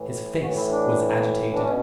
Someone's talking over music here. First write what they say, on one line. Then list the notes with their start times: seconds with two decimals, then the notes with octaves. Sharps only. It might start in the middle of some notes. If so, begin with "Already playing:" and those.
His face was agitated.
Already playing: A2 E3
0.42 A2 E3 F#4
0.56 E4
0.71 D4
1.54 D4
1.62 B2 C#4